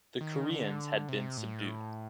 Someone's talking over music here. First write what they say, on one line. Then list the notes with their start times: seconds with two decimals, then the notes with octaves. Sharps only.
The Koreans had been subdued.
0.21 D#3
0.50 D3
1.09 C3
1.37 A2